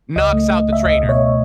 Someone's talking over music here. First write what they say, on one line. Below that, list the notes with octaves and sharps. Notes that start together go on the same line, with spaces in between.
knocks out the trainer,
C#2 D#5
A3
A3
C#2 E5
C#2 D#5
B2
C#5